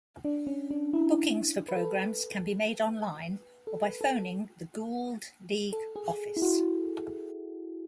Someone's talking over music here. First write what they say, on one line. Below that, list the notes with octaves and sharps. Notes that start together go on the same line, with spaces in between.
Bookings for programs can be made online or by phoning the Gould League office.
D4
C#4
D4
E4
B4
A4
B4
A4
B4
A4
A4
A4
G#4
E4
F#4